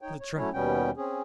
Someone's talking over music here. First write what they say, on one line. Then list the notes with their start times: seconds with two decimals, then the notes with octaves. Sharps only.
"To the trap!"
0.01 D#4 C#5 G5
0.20 C#5
0.37 F#3 A3 C#4 E4 C#5
0.54 D#2 B2 G3 B3 C#4 G5
0.97 C4 C#4 G#4